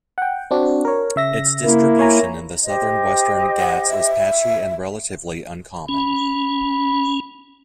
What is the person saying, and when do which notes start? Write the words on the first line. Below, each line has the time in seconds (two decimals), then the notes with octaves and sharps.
Its distribution in the southern Western Ghats is patchy and relatively uncommon.
0.18 F#5 G5
0.51 C4 D4 F#4
0.85 A#4 C#5
1.16 C#3 E5 A#6
1.65 C#3 A#3 E4
1.99 C#5 G#5 A#5
2.64 G4 C5 D#5
3.59 F#5
3.90 E5
5.89 C#4 B5